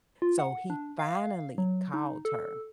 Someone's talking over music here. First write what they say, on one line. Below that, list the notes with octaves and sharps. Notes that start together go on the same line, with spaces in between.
So he finally called her,
F4
F#5
D4
F5
F#3
D#4
A4